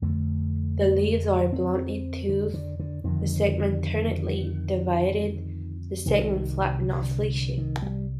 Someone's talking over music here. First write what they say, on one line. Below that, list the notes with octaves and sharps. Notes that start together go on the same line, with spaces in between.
The leaves are bluntly toothed, the segments ternately divided the segments flat, not fleshy.
F2 D3 A3
C4
D3
D3
D3
F2 D3 D#3
C2 C3 D#3
D3
D3
D#3
G3